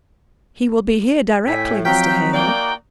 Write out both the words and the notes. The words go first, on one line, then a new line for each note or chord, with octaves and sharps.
He will be here directly, Mr. Hale.
A2 E5 G5 G#5 B6
F3 F#3 C4 D#4 F#4 F5 G5 B6
A#3 D5 G5